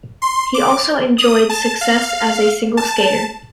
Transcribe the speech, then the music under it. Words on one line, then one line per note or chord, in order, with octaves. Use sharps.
He also enjoyed success as a single skater.
C6
D6
D#6
A5
F5
A5